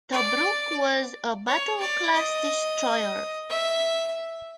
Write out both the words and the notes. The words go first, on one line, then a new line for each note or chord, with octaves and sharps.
"Tobruk" was a Battle class destroyer.
D5
C#5
D5
D#5
E5